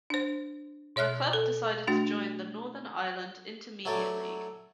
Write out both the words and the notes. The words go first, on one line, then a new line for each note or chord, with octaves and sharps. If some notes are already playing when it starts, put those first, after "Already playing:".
The club decided to join the Northern Ireland Intermediate League.
D4 C5
B2 C#5 E5 F6 F#6
A4
A3 D4 F#4
F#3 A3 C#5 D5